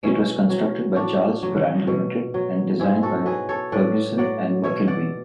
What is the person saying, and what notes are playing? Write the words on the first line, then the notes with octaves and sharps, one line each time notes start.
It was constructed by Charles Brand Ltd and designed by Ferguson and McIlveen.
B2 C#4 E4
F#3
A2 D4 F#4
F#3
B2
F#3
G#2 E4 G#4
F#4 A4
F#3 G#4 B4
A4 C#5
A2 B4 D5
F#3 D5 F#5
B2 C#5 E5
D5 F#5